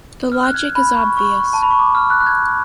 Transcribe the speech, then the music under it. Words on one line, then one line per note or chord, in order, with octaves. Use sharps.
The logic is obvious.
F6
F#6
G#6
B5
C#6
C#6
A5
B5
C#6
D6
F6
F#6
F#6
G#6